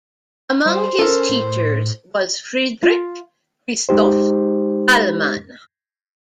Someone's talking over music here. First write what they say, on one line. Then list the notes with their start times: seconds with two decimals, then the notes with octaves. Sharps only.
Among his teachers was Friedrich Christoph Dahlmann.
0.66 G3 C5
0.99 C#4 A4 A#4
1.30 A2
2.83 F4
3.89 G#3 D#4 G4 C5